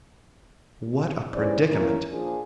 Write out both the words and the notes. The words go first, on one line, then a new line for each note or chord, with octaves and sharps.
What a predicament!
G2 E3 C#4 G#4 C5 D5
A#3 C#4 E4 A#4
A#2 F3 D4 G#4